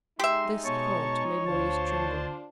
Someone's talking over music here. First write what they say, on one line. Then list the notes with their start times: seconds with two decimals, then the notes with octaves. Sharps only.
This thought made Maurice tremble.
0.19 G#3 D#4 G4 E5 C6
0.65 B2 C#5 A5 C#6
1.46 D2 D4 F4 C5 A5